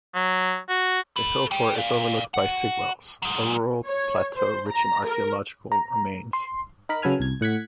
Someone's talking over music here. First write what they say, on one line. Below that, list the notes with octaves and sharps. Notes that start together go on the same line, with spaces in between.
The hill fort is overlooked by Sigwells, a rural plateau rich in archaeological remains.
F#3
F#4
A4 B5
G3 G5
D5 F5
F#4 F#5
F#3 G#3
C#5
C5
A#5
A#4
A#5
C6
D#4 A#4 B5
C#3 F#3 A4 B4 G#5 F6
C2 G#6
A2 F#5 G#6 B6